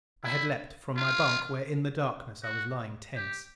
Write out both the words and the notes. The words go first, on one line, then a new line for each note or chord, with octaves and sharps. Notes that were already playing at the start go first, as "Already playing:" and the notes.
I had leaped from my bunk where in the darkness I was lying tense.
E4
F4
F#4
G4